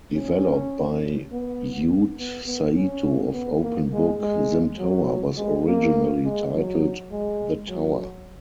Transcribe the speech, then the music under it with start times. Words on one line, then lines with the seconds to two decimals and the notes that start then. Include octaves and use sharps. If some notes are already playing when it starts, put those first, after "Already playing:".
Developed by Yoot Saito of OpenBook, "SimTower" was originally titled "The Tower".
0.15 C#4
1.32 B3
2.19 B3
2.47 B3
2.76 C#4
3.34 B3
3.63 A#3
3.92 G#3
4.21 G#3
4.79 F#3
5.37 G#3
5.67 A#3
6.25 G#3
6.54 F#3
7.11 G#3
7.69 F#3